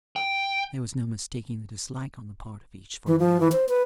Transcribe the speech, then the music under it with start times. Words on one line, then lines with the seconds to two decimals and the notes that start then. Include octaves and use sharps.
There was no mistaking the dislike on the part of each for the other.
0.16 G5
3.07 E3
3.20 F3
3.40 E3
3.52 C5
3.69 B4